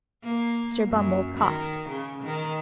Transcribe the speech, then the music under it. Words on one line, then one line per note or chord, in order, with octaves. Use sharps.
Mr. Bumble coughed.
A#3
F#2
D#3
C#3
D#3